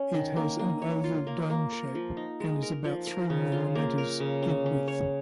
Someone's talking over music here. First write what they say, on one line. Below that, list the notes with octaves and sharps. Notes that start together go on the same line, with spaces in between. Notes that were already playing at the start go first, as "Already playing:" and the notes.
It has an oval dome shape and is about three millimetres in width.
Already playing: C#4
D#3
A#3
A#3
C#5
F4
A#3
A#3
A#4
F3
D#4
G#3
A#4
F3
A#4
C#3
F4
A#3
A#4
C#3
C#4
C#4
C#5